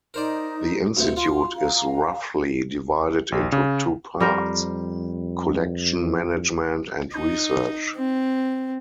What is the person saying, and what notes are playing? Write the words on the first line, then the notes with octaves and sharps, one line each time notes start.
The institute is roughly divided into two parts: Collection Management and Research.
D#4 A#4 C5 D5
D2 G2 C3
F4 C6
F5 A#5
A#1
C#3
F2 G3 A#4 C5
D#4
C4